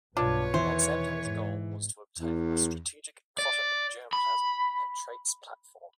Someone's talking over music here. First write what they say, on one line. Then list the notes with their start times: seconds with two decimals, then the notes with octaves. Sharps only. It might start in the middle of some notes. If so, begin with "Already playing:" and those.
Monsanto's goal was to obtain a strategic cotton germplasm and traits platform.
0.17 B1 G2 B2 D4 F4 B4 C#5
0.54 E2 B2 D#3 E3 C5
1.21 G#2
2.19 E2
3.39 D5
4.13 B5